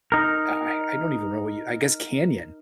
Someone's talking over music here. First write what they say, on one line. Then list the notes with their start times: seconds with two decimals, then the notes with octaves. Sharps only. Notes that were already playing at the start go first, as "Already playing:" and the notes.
I I don't even know what you I guess canyon.
0.12 D#4 A#4